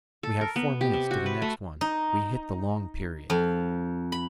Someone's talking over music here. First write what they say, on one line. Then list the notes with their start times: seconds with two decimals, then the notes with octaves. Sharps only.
"We have four minutes to the next one--we hit the long period!"
0.23 A4
0.41 A#4
0.56 B3
0.81 G4
0.94 C3
1.11 F#4
1.26 B4
1.42 A3
1.81 D#4
3.30 F2
4.12 B5